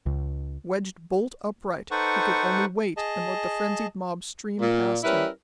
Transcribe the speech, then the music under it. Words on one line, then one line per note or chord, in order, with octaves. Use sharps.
Wedged bolt upright, he could only wait and let the frenzied mob stream past him.
C#2
D#4 A4 B4 C5 F#5 C#6
G#4 D#5 A5
A#2
G3 C#4 E4 A#4 B4